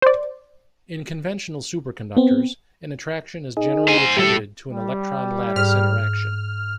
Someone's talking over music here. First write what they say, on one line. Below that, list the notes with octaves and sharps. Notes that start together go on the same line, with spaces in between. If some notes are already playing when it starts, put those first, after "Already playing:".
In conventional superconductors, an attraction is generally attributed to an electron-lattice interaction.
C5 D5
B3 C4
D#4 G#4
C5 G#5
A2 G3 A4
G3
G#2 F6